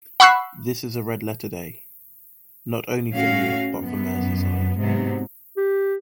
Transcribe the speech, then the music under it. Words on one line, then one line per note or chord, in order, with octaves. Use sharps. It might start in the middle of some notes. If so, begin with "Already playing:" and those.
This is a red letter day, not only for me but for Merseyside.
F#5 B5 C#6 E6 F#6 C7
A2 C#4 F#4 F5
F#2 B3
G#2 C3 F#3 B3
G4